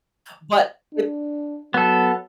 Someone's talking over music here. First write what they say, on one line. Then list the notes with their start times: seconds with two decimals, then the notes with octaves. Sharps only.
but i
0.95 D4
1.74 F#3 B3 A4